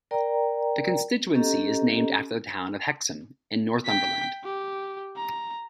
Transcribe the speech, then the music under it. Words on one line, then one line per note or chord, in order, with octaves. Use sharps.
The constituency is named after the town of Hexham in Northumberland.
A#4 D5 G5 A#5
C#4 G4 A4 D#5 A#5
G5 B6
G4
A#5